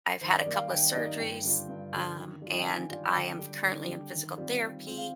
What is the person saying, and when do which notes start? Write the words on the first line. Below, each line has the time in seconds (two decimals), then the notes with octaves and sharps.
I've had a couple of surgeries, um, and I am currently in physical therapy
0.21 D#3 C5
0.31 D#5
0.37 D5
0.46 G3 A#3 D#4
0.54 F5
0.70 D#3 G5
0.90 D5
0.95 G3 A#3 D#4 D#5
1.20 G2 G5
1.44 D3 G3 D4 F4
1.69 G2
1.92 D3 G3 D4 F4
2.16 D#3
2.42 G3 D4 F4
2.57 G5
2.65 D#3 G#5
2.89 G3 D4 F4
3.14 D3 G5
3.39 G3 D4
3.63 D3
3.88 G3 D4
4.11 D#3
4.36 G3 C4 F4
4.61 D#3
4.84 G3 C4 F4
4.98 F5